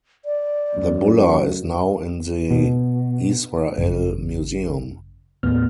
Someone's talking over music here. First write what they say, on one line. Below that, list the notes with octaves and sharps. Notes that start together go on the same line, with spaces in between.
The bulla is now in the Israel Museum.
D5
F#2
B2
G#1 F#2 C#3
D#2 A2 B3 F6